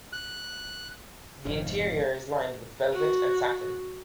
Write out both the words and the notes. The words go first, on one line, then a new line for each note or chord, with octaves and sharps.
The interior is lined with velvet and satin.
F#6
F1 G#2 C#3
F#4